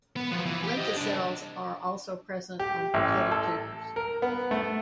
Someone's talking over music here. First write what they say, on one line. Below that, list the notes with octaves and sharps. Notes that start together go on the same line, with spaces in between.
Lenticels are also present on potato tubers.
B3
F3 F#3
E3
G4
C5 D#5
C2 D4
G4
A1
A4
A#4
B3
A3